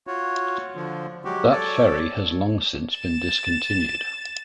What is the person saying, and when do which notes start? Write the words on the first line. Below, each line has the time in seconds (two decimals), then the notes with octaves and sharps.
That ferry has long since been discontinued.
0.07 F4 F#4 C#5
0.75 D3 F3
1.25 F#3 G#3 F#4 G4
1.51 A4 C#5 D5
2.97 A6 E7